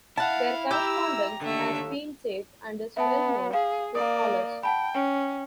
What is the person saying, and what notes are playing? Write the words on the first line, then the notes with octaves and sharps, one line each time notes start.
Their correspondence has been saved and is well known to scholars.
E4 F5 F#5 A5
G4 A#5 E6
D#2 D3 A3 E5
B3 E5 A5
G#4 F5
A#3 D5 D#6
F#5 G5 A5 B5
C#4 G5